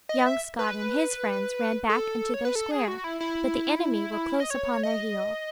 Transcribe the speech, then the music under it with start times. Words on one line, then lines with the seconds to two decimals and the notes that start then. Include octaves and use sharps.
Young Scott and his friends ran back into their square, but the enemy were close upon their heels.
0.09 D#5
0.26 E5
0.59 B4
1.90 A4
2.34 C#5
2.45 B4
2.55 A4
2.71 G#4
2.88 F#4
3.04 E4
3.20 E4
4.40 D#5
4.50 C#5
4.83 D#5